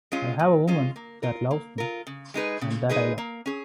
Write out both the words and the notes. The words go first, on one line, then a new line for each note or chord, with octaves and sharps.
I have a woman that loves me and that I love.
G#3 C#4 F4
A#2
G#3 C#4 F4
A#3
F4 A#4
A#3
F4 A#4
C#3
G#3 D#4 G#4 B4
C#3
G#3 D#4 G#4 B4
A#3
C#4 G#4